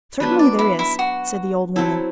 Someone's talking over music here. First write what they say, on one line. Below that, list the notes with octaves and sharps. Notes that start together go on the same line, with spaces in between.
"Certainly there is," said the old woman.
F#3 B3 D4 B4
D5
E4
E4
F#4
F#3 C4 E4 A4